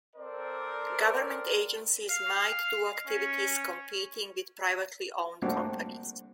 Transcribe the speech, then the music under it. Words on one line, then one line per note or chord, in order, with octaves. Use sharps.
Government agencies might do activities competing with privately owned companies.
C4 A4 A#4 C5 D5
F5
C#4
G3 A3 A#3 C4 D4 F#4